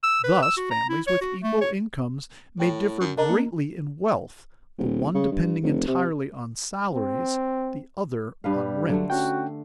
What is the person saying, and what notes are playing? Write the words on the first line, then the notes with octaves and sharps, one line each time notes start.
Thus, families with equal incomes may differ greatly in wealth, the one depending entirely on salaries, the other on rents.
E6
B4
E6
F#4
A#5
E4
C#5
F#4
A3
C#5
A2 G5
F#2
D4 A#4 D#5 A#5
A#3
D#1
C#3
G2
F1
C3
C4
G2 G3 B4 F5
D3 F#3 A3 A4
C#4 F#4 G5